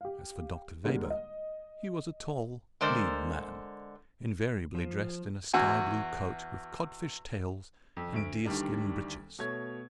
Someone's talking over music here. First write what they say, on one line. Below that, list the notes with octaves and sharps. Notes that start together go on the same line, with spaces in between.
As for Dr. Weber, he was a tall, lean man, invariably dressed in a sky-blue coat with codfish tails and deerskin breeches.
G4 F5
G#2 D3 G3 G#3 A#3
D#5
D3 G#3 A#4 C5 D5
F3
E2 F#4 G#5
F2
D2 D7
D2 D#3 G3 D4
B2 A3 C#5 G#6